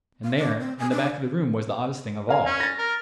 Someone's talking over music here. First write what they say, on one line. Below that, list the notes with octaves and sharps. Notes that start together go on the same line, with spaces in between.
And there in the back of the room was the oddest thing of all.
F5
D4
C4
G#5
D4
A#4 F5 G#5
C#4
A6 A#6
A#4